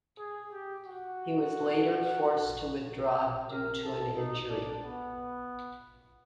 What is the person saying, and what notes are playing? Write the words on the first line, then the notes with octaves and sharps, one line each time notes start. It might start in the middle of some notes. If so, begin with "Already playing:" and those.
He was later forced to withdraw due to an injury.
G#4
G4
F#4
A#4
A4
D#4
D4
B3